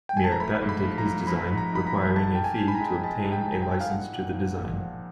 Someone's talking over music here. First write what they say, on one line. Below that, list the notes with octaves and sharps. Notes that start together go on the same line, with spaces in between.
Mier patented his design, requiring a fee to obtain a license to the design.
G5
G#5
A5
A#5
A3 B5
G#2
B5
F3
A#5
F3
F3 B5
G#2
A#5
G#2 B5
A#5
G#2
G#2 A5
G#2 G5
G#5
G#2
B5
A#5
G#3
G#3 A5
G#2
G5
G#2
G5
G#2
F5
A#2 F#5
A#2
F3
A#2
F3